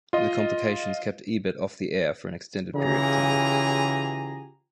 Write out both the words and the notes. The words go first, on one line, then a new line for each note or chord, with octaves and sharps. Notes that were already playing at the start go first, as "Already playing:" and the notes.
The complications kept Ebert off the air for an extended period of time.
F4 D#5
C#3 E3 F4 G4 G#4 A#5